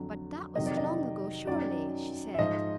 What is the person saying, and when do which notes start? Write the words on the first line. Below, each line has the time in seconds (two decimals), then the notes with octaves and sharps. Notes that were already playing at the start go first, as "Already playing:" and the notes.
"But that was long ago, surely," she said.
Already playing: F2 D3 F#3
0.56 F2 C3 D#3 F#3 D#5
0.66 D5
0.77 D#5
1.47 F#2 D#3 F#3 D5
2.34 E5
2.39 G#2 F3 D#5